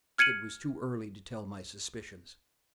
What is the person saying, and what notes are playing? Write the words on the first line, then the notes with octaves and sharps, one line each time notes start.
It was too early to tell my suspicions.
F6 G#6 C#7 D#7 F#7